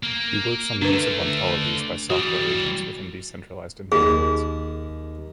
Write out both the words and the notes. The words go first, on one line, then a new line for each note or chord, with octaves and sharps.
He works on the use of ontologies by Software Agents within decentralised environments.
A#3
D3 A3 D4 B4
E3 G3 F#4
D#2 G#4